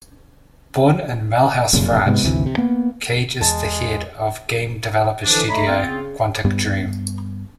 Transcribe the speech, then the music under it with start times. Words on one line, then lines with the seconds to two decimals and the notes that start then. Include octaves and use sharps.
Born in Mulhouse, France, Cage is the head of game developer studio "Quantic Dream".
1.73 F1 F#2 A#2 C#3
2.06 G#2 C3 G#3 B3
2.23 G#1 D2 C3 E3
2.46 C3
2.58 A#3 B3
3.41 E2 G#3 A5
5.25 D3 E3 F3 D4
5.49 A3 C#5 D#5 A#5 B5
5.67 B3 C4 F4
5.83 C#3
6.44 G2 G3 B3